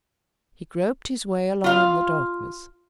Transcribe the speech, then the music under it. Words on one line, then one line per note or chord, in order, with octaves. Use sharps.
He groped his way along in the darkness.
F4 F5